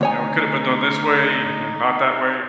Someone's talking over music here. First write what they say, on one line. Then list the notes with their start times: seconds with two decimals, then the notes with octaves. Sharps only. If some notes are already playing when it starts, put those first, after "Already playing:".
you know, it could have been done this way, and not that way.
0.01 D2 D#4 C#5 G#5